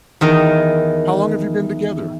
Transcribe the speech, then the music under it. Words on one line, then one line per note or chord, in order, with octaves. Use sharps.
How long have you been together?
E2 D#3 D#5